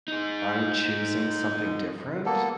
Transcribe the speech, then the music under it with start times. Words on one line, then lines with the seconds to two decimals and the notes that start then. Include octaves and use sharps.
I'm choosing something different,
0.08 D#4 G#4
2.26 A#3 B3 A4